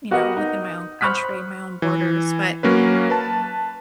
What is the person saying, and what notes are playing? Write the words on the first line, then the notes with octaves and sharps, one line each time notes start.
you know, within my own country, my own borders, but
B3 F#4 G4 A#4 D#5 F#5
D#4
C5 B5 C#6 F6 F#6 B6
E3
F#3 A#3 C#4 B4
B4 A5